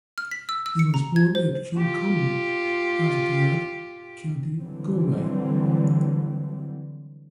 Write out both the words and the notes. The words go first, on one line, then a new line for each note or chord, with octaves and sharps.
He was born at Kilcommon, Oughterard, County Galway.
F6
B6
E6
E6
C#7
A#5
G#6
C5
F4 G4
D3 E3 F#3 G3 C4